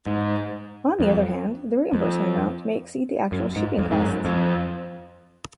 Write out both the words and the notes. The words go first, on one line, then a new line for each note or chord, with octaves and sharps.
On the other hand, the reimbursement amount may exceed the actual shipping costs.
G#2
F2
F2
F#2
G#2
F2
G#2
F#2
F2